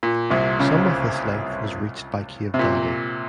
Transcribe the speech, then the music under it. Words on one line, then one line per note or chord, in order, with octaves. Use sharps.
Some of this length was reached by cave diving.
A#2
C2 C3
C#2 C#3
C3
A#2